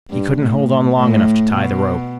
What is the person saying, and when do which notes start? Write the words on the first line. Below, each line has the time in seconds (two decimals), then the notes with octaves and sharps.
He couldn't hold on long enough to tie the rope....
0.10 G2
0.40 A2
0.96 A2
1.53 B2